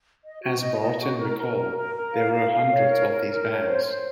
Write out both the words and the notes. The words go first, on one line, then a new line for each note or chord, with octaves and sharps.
As Barton recalled: There were hundreds of these bands.
D#5
F#4
D#5
D#5
F#4
A#4
A#4
A#4
A#4
A#4
F5
F5
F5
C#5
A#4
A#4
A#4
C#5
C5
C5